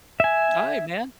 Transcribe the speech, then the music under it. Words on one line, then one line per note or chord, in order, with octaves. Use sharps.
Aight, man.
E5 G#5